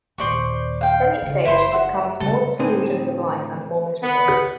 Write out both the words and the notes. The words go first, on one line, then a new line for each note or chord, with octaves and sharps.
Then each day she becomes more disillusioned with life and more miserable.
D#2 A#2 C5 D5 C#6
F5 G5
C#3 E3
F#1 E4 C5 C6
E5 F#5
C#3 G#3 A4
A2 D3 C4 D#4 G#4
B3